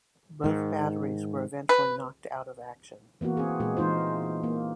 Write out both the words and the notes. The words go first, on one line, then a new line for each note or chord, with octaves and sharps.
Both batteries were eventually knocked out of action.
G#2 D#3
B4
E3 A#3 B3 F#4
C4 G#4
A#2 G#3 G#4
E3 G#3 D#4 F4 C5
A#3